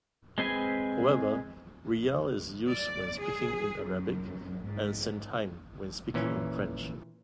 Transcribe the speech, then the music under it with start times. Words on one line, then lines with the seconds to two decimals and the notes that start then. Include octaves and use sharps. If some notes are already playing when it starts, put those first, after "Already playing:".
However, rial is used when speaking in Arabic and "centime" when speaking in French.
0.38 G#3 C4 G#4 B4 G#5
2.67 D5
3.22 G#4
3.83 F#2
4.60 G#2
6.14 A#2 E3 C#4